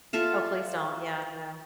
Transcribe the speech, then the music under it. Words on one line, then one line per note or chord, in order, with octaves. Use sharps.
Oh, please don't, yeah, no.
F4 A4 E5 F5